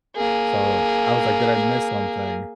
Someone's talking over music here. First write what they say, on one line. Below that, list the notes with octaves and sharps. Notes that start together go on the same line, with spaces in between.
so I was like, "Did I miss something?"
A#3 G#4